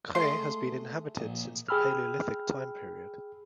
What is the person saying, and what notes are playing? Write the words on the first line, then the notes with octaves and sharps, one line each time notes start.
Cres has been inhabited since the Paleolithic time period.
G#3 A3 C6
A#1
G#4 G5 B5 E6 F6